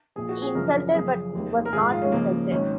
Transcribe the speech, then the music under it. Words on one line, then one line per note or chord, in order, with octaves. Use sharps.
He insulted but was not insulted.
A#1 A#2 F3 G#4
F#4
G#4
F#1 F#2 C#3 F3 A#4
F#1 F#2 F3 G#4
F1 D#2 D#3
A#4
A#1 G#2 D#3 G#4
F4
C#4
C#2 C#3 F3 A#3
G#1 G#2 D#3 C#4